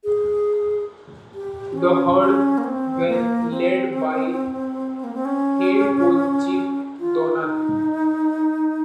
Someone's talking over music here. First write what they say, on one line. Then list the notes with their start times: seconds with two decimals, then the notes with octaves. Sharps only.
The Herd were led by head coach Jim Donnan.
0.04 G#4
1.34 G4
1.73 C4
1.77 C#4
2.20 C#4
2.58 A#3
2.64 C4
3.08 A#3
3.51 C4
5.04 A#3
5.14 C4
5.25 C#4
6.99 F4
7.42 D#4